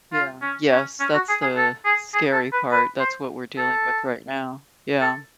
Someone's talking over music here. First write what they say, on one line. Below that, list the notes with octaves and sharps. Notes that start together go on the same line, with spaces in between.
Yeah. Yes, that's the scary part, that's what we're dealing with right now. Yeah.
F4
C#4
C#4
C#4
F#4
G#4
G#4
A4
G#4
G#4
A4
B4
B4
C5
A4
A4